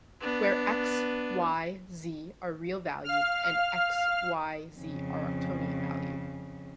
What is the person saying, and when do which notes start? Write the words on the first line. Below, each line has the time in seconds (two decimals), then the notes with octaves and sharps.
Where "x", "y", "z" are real valued and "X", "Y", "Z" are octonion valued.
0.21 B3 D4
3.04 F5 F6
4.77 F2 C#3